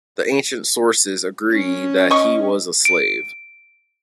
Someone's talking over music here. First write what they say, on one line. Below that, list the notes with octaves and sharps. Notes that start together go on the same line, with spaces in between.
The ancient sources agree that he was a slave.
C#4
D#5 C#6
D7